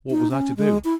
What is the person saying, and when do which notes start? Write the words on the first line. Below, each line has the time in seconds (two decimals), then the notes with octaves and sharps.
What was I to do?
0.10 D#4
0.31 C#4
0.57 G#3
0.84 E4